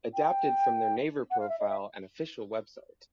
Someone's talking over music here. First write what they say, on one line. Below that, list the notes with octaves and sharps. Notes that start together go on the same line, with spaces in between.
Adapted from their Naver profile and official website.
G5
F#5
F5
E5
D#5
E5